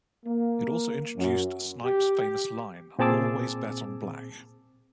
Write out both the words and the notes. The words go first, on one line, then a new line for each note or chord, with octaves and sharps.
It also introduced Snipes' famous line: Always bet on black.
A#3
F#2
G4
A#2 C4 G#4 A5 D6 E6